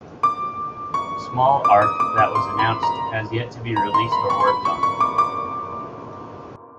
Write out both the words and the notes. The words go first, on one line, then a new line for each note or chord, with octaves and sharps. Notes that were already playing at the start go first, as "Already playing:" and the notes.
Small arc that was announced has yet to be released or worked on.
D6
C#6
D6
D#6
D6
D6
C6
B5
A#5
A#5
C6
B5
C#6
C6
B5
C#6
C#6
D6
D6